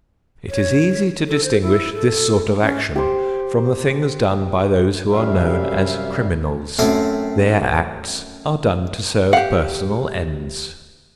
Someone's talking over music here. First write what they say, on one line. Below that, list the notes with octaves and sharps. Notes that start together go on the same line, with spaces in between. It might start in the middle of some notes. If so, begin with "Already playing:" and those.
It is easy to distinguish this sort of action from the things done by those who are known as criminals. Their acts are done to serve personal ends.
C#5
A4
C5
E4
A4
C#4
G4 C5
F#2 C3 G3 E5 F5
F#2 A3 C4 G#5
G4 F5 F#5